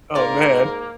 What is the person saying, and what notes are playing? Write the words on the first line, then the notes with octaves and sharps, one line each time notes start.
Oh, man.
G#2 A#3 F4 A#4 D5